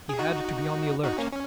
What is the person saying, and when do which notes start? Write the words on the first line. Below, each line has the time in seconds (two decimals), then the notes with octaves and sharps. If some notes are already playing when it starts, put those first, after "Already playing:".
He had to be on the alert.
0.09 G#4
0.19 D#4 F#4
1.04 D#4 F#4
1.18 A#3 C#4
1.32 C#4